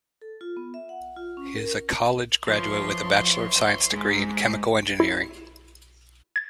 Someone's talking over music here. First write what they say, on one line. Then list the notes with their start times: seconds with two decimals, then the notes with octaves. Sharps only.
He is a college graduate with a Bachelor of Science degree in chemical engineering.
0.21 A4
0.41 F4
0.57 B3
0.74 E5
0.89 F#5
1.17 F4
1.37 C#4
1.55 A#4
2.48 E3 F3 C#5 C6
3.92 G#2 G#3
5.00 E4
6.36 G#6 A6